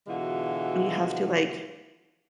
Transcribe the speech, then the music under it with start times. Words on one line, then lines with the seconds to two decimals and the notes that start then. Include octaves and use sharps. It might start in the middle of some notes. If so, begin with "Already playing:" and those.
you have to like,
0.08 B2 D3 E3 G#3 F4 F#4